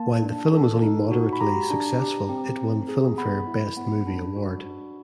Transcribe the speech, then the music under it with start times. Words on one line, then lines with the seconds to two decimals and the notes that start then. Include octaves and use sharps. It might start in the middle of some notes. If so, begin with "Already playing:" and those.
While the film was only moderately successful, it won the Filmfare Best Movie Award.
Already playing: A#3 A5
0.23 D4
0.53 A4
0.82 D#4
1.12 F#4
1.33 B5
1.41 G4 A#5
1.70 D4
2.00 G4
2.29 C4
2.59 C4
2.89 G#4
3.18 B3 B5
3.47 E4
3.77 B3
4.07 D4
4.36 F#4
4.66 D4